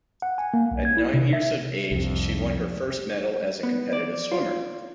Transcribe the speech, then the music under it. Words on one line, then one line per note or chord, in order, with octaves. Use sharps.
At nine years of age, she won her first medal as a competitive swimmer.
F#5
G#5
A#3
B1
G#6
E4
C3
E5
C2 F2
B3
D5
F4